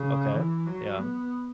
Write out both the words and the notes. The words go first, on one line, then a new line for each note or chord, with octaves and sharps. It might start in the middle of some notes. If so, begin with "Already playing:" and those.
Okay. Yeah.
Already playing: C#3
E3
F#3
B3